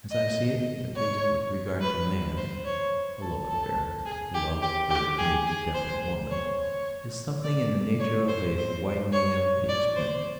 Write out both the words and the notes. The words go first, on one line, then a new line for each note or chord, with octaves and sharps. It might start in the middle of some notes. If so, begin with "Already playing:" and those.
As I see it, at least, with regard to man, a love affair, a love for any definite woman--is something in the nature of a widening of the experience.
D#5
C#5
B4
C5
C#5
A4
A4
G#4
G4
G4
G4
G#4
G#4
C5
C#5
C#5
D5
C#5
C5
C5
C#5
D5
C5